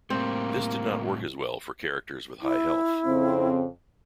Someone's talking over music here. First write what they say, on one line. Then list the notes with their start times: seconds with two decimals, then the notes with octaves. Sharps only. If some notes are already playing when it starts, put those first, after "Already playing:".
This did not work as well for characters with high health.
0.10 A2 G3 A#3 C4
2.42 E4
3.06 F2 C#3 C4